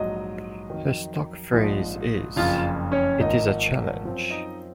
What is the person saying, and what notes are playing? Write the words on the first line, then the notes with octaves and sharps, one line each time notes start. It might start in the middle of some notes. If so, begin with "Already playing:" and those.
Her stock phrase is It is a challenge.
Already playing: A#1 G#2 F#3 D#4 D#5
F2 D#3 F#3
A#1 G#2 F3
F#1 F2 C#3 F4 F5
C#4 C#5
G#1 G#2 F3 A#3 D#4 D#5
F#2 F3 C4
D#4 D#5